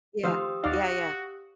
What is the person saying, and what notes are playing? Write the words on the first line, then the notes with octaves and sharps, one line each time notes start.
Yeah. Yeah, yeah.
D#3 F3 A3 G4 C5 F5 D#6 E6
D#2 D#4 F#4 D5 F5